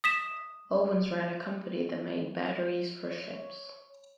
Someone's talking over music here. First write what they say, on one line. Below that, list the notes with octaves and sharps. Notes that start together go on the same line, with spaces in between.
Owens ran a company that made batteries for ships.
D#6 B6 E7
C#5